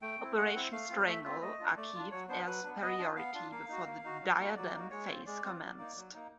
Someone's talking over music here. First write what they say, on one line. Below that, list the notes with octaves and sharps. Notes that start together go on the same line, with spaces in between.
Operation Strangle achieved air superiority before the Diadem phase commenced.
A3 G5
C4 E4
A3 F#5
C4 E4
A3 F5
C4 F4
A3 E5
C4 F4 E5
A3 D#5
D4 F4
A3 D5
D4 F4
F#3 C#5
B3 D4 C5
F#3 B4
B3 D4
B3 D#5
D4 F4
B3 F5
D4 F4
A#3 F5
D#4 F#4
A#3
D#4 F#4
F#3
A#3 D#4 F#4
F#3 D5
A#3 D#4 F#4
G#3 C#5
C4 F4
G#3 D5
C4 F4
F#3
A#3 D#4
F#3
A#3 D#4